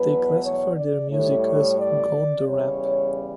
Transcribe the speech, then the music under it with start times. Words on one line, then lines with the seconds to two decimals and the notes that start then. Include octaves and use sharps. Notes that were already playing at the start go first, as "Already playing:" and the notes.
They classify their music as "Goonda Rap".
Already playing: E2 B2 F#3 B4
0.41 C#5
0.75 D5
1.10 A2 G3 C#5
1.78 D5
2.47 E2 C#3 G3 C#5